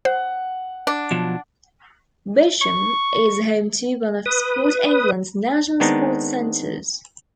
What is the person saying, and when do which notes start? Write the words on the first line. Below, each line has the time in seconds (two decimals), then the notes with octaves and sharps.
Bisham is home to one of Sport England's National Sports Centres.
0.05 C5 F#5
0.87 D4
1.11 B2 F3 F#3
2.61 C#6
4.26 B4 D#6
5.80 D#3 G#3 B3 C4 D4 D#4